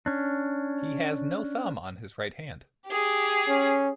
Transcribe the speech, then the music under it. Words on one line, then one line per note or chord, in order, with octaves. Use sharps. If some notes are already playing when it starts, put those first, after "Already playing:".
He has no thumb on his right hand.
C#4 D4
G4 G#4
C#4